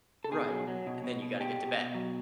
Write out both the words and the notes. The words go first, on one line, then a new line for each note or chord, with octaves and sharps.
Right, and then you gotta get to bed.
A4
B2 G#4
F#3
F#3
B2
B2
B2
B2 G4
B2
B2
F#3